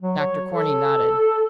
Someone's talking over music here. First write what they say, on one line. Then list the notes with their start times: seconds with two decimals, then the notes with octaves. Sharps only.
Dr Corney nodded.
0.02 F#3
0.19 C#5
0.53 A4